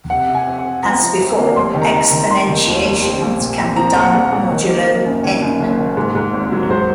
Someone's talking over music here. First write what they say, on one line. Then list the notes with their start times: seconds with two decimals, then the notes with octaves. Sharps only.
As before, exponentiations can be done modulo "n".
0.10 C3 F#5
0.28 C3
0.35 G#5
0.47 F2
0.58 F#5
0.65 F2
0.83 F3 A#5
1.02 F3
1.21 F2
1.39 A#3
1.56 F1 C6
1.75 D#3
1.82 A#5
1.94 D#3
2.05 A#5
2.11 D#3
2.30 F1 C6
2.48 D#3
2.66 D#2
2.85 F1
3.03 C4
3.22 A#1
3.40 A#2
3.58 C4
3.76 F3 A#5
3.95 A#1
4.01 F#5
4.14 A#1
4.32 A#1
4.50 D#3
4.68 A#3
4.87 A#3
5.05 F#2
5.23 D#3 C#5
5.42 F#2
5.60 F#1
5.79 D#3
5.97 G#2
6.15 G#2
6.34 G#1
6.52 F#3
6.70 G#2 C5